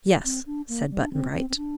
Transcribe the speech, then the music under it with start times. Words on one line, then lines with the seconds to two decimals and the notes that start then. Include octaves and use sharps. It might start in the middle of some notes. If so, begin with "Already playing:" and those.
"Yes," said Button-Bright.
0.24 C4
0.46 D4
0.69 A#3
0.91 G3
1.01 D4
1.12 C4
1.34 C4
1.49 C4
1.56 D4